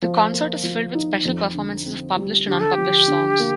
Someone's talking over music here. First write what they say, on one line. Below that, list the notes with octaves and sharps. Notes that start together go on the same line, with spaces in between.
The concert is filled with special performances of published and unpublished songs.
F3
A#3
F3
D#4
F2
D3
C4
G3
D3 G4
A4
F3 G4
D3
A#3